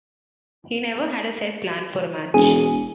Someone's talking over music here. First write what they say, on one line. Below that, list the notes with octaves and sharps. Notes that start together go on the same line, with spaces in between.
He never had a set plan for a match.
E1 G#4